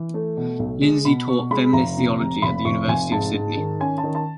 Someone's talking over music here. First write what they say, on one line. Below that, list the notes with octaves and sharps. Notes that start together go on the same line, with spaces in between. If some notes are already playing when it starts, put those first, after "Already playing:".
Lindsay taught feminist theology at the University of Sydney.
Already playing: E3
A3
B2
B1
G#3
B2 B5
B2 C#6
G#3 B5
F1 A#5
C3
F1
F1 B5
F1 C#6
F1 G#5
G#2 A5
G#2
D#3
C#4 G#5
A5
D#3
A5